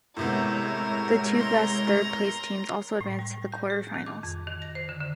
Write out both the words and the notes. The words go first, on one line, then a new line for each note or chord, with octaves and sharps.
The two best third place teams also advance to the quarter-finals.
A2 C3 G#3 B3 A#4 C#5
A#5 C6
A2
G3
G6
G#4
D#3
D6
F2
D#3
A#6
C5
D3
D3